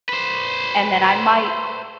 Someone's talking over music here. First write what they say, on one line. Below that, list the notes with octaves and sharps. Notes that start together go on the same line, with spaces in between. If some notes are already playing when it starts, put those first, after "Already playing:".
and then I might
B4 C5